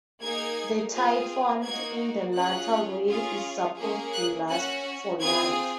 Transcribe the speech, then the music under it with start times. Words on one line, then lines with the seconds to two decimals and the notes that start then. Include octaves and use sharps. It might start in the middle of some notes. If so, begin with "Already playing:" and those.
The tie formed in the latter way is supposed to last for life.
0.22 A#3 D#4 G#4 G#6
0.93 C4 F4 G#4
1.65 A#3 D#4 F#4 G#6
2.36 C#4 F4 G#4 F#6
3.07 C#4 F4 G#4
3.78 A#3 C#4 G#4
4.14 F#6
4.49 C#4 F#4 F#6
5.20 C4 F4 G#4 G#6